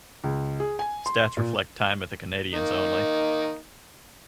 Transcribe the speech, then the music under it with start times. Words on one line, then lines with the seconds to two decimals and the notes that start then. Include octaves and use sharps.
Stats reflect time with the Canadiens only.
0.24 C#2
0.60 G#4
0.79 G#5
1.06 C6
1.37 A#2
2.54 D#3 A#3 D#4